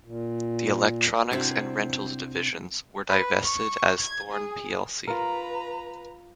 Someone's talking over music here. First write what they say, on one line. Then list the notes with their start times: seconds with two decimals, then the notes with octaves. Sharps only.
The electronics and rentals divisions were divested as Thorn plc.
0.05 A#2
1.31 C3 B3 C4 D4 E4 F#4
3.09 B4
3.45 C#6
4.01 G#6
4.32 G#4
5.08 F4 A#4 B4 A#5